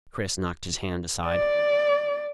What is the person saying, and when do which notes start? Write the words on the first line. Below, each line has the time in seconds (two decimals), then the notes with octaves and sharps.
Chris knocked his hand aside.
1.27 D5